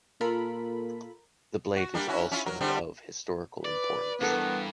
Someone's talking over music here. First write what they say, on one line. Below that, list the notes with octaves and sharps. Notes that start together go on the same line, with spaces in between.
The blade is also of historical importance.
A#2 F4 A4 A#4 B5
F#4
G3 A#3 D4
C#4 E4 F#4
C#4 E4 F4
F#3 A#4
D3 G3 C4
B4 D5
G2 E3 B3 A4 A#4